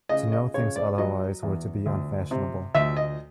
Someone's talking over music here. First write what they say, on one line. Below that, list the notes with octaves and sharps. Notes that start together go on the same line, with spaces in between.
To know things otherwise were to be unfashionable.
C#3 D#5
D#5
C#3 C#5
D5
F#3 D#5
E2
D2
C3
D2 E5
D#5